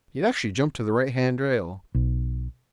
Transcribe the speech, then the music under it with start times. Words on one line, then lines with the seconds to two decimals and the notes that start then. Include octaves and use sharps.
He'd actually jumped to the right-hand rail.
1.95 B1